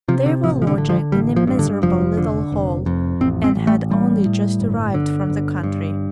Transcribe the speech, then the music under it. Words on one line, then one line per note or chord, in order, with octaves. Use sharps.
They were lodging in a miserable little hole and had only just arrived from the country.
C3 F3
D3
A1 F3
F3
D3
D3
F3
A1 G3
F3
G2
D3
F1 F3
D3
F1
F2
A1 C4
C4
A1
A3
A2 G3
A2
G1
D3
G1
G2